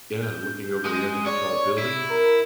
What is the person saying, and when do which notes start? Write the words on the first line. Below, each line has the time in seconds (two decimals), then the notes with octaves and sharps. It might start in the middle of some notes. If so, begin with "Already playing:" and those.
Yeah, looking over the edge of a tall building.
0.22 G6
0.85 G#3
1.26 C#5 D5
1.78 E4 D7
2.10 A#4